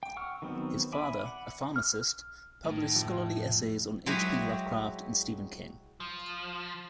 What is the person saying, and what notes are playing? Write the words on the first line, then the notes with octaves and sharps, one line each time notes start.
His father, a pharmacist, published scholarly essays on H. P. Lovecraft and Stephen King.
G5
F#5 C#6 E6 F6
D#3 F#3 B3 C4
D5 E5 G#5 B5
F#5
F6
A2 D#3
F2
F#3 G#3 E4 G4 B4 A#5
F3